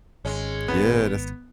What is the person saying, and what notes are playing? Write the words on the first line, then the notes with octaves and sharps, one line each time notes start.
Yeah, that's t
G#1 G#3 C#4
B3